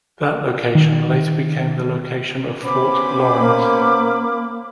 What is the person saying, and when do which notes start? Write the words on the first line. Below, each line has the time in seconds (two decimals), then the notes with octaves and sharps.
That location later became the location of Fort Laurens.
0.75 D#3
2.62 B3 C#4 C5 B5 D6
3.39 A#3